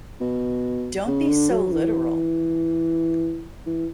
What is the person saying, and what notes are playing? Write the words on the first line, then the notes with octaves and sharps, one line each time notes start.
Don't be so literal.
B2
C#3
D3
F#3
E3
E3